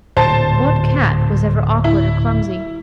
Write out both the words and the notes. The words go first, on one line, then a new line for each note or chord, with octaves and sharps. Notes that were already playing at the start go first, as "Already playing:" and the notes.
What Cat was ever awkward or clumsy?
D1 A#2 C5 A5
E4